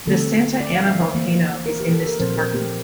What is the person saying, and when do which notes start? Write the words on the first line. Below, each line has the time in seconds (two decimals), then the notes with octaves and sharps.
The Santa Ana Volcano is in this department.
0.07 D3 A3 C4 A4
0.60 D5
0.74 F5
0.87 E5
1.01 C5
1.14 E3 A#3
1.66 A#4
1.80 G4
1.93 A4
2.06 A#4
2.20 A#2 F3 C4 C5
2.37 A#4
2.54 G4